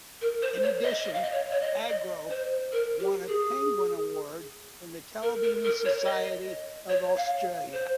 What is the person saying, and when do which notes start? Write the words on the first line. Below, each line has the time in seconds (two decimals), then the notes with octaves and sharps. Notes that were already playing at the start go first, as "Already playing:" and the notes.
In addition, Agro won a Penguin Award from the Television Society of Australia.
0.21 A#4
0.42 C5
0.63 C#5
0.83 D#5
1.05 D#5
1.13 F5
1.23 D#5
1.32 C#5
1.52 C#5
1.61 D#5
1.88 D#5
2.30 C5
2.72 A#4
2.99 G4
3.27 G#4
5.22 A#4
5.43 A#4
5.64 A#4
5.85 C#5
6.06 D#5
6.89 C#5
7.17 F5
7.73 C5